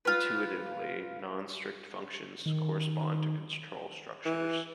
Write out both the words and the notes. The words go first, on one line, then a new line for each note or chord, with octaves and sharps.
Intuitively, non-strict functions correspond to control structures.
F4 B4
D#3
E3